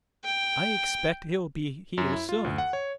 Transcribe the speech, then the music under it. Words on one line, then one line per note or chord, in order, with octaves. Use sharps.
I expect he'll be here soon.
G5
F#2
E4
F4
D2
F#5
C#5